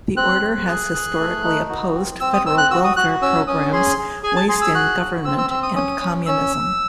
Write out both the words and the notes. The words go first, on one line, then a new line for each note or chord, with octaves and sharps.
The order has historically opposed federal welfare programs, waste in government and Communism.
C4 F#6
C4
G#4
G#4
A3
D#4
F#4
C4
C4 E6
D#6
C4 E6
F#6
F#4 E6
D#6
F#4 F#6
C#4 E6
C#4 D#6
G#4 C6
G#4
G#4 G#5
A5
G#4 C6
E6
F#4 F#6
F#4
C4 E6
E6
C4 E6
D#6
C#4 D#6
C#4
C#4 E6